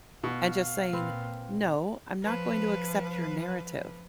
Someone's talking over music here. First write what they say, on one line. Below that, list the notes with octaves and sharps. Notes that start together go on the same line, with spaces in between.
and just saying, "No, I'm not going to accept your narrative."
B2 F5
A#2 C4 B4
F3 B4